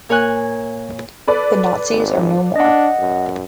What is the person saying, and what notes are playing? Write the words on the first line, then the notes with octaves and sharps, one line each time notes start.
The Nazis are no more.
A#2 A#4 C#5 G#5 F#6
A4 B4 D5
G#1
D4 D#5 F#5
F#2